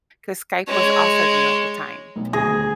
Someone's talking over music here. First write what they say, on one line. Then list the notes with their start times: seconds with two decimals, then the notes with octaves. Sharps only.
'cause Skype was also new at the time.
0.68 G#3 C#5
2.16 B1
2.33 D#1 D2 G#4 A#6